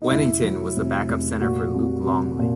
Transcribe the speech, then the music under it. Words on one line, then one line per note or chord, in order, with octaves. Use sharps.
Wennington was the backup center for Luc Longley.
D#4
F1 E4
F#3
F1
F1
A#2 F#4
C2
C2
A#2